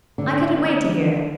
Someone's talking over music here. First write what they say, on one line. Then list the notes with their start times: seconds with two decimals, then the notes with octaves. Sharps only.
'I couldn't wait to hear.
0.18 D3